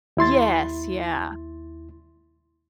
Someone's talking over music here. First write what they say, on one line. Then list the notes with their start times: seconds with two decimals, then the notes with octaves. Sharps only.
Yes, yeah.
0.17 D#2 E4 C6 A6